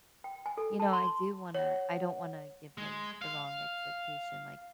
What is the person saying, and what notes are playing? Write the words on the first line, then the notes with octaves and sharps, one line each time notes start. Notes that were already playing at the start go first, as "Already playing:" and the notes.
you know, I do wanna I don't wanna give him the wrong expectation, like,
G5
G#5
A4
A5
C6
C#5 F#5
G#3
F5